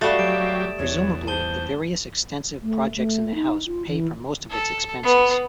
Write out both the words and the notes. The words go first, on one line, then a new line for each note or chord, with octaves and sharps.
Presumably the various extensive projects in the house pay for most of its expenses.
G3 A3 F#4 F5 D#6 A6 E7
F#3 G4 D7
E2 C#5
C5 A5 G7
A3
A3
D#4
F4
E3
A4
B3